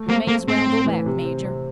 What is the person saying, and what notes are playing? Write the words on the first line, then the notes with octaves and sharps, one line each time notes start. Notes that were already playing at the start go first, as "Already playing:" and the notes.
We may as well go back, major.
Already playing: A3
A#3 C4
A3 A#3
A2 C4
A2
E3
C3
C4
C3